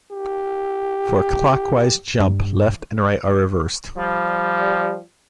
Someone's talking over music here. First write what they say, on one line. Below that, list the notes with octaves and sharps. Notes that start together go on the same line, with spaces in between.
For a clockwise jump, left and right are reversed.
G4
G2
F3 G3